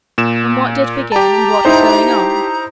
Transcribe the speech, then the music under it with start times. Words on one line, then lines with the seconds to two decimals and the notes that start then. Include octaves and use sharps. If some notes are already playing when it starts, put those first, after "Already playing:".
And what did begin, and what was going on?
0.18 A#2 E7
1.12 G4 A5 A#5
1.65 D#4 E4 C5